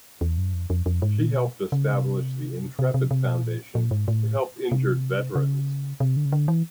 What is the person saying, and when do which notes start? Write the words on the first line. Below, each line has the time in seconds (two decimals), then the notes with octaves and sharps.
She helped establish the Intrepid Foundation to help injured veterans.
0.21 E2
0.38 F#2
0.54 F2
0.70 F2
0.86 F2
1.02 G#2
1.19 A#2
1.34 B2
1.72 C#3
1.93 C3
2.79 C3
2.94 C3
3.11 C3
3.27 B2
3.42 A#2
3.75 A#2
3.91 G#2
4.08 A2
4.72 C3
5.35 C#3
6.00 C3
6.17 D3
6.25 C#3
6.32 D3
6.48 E3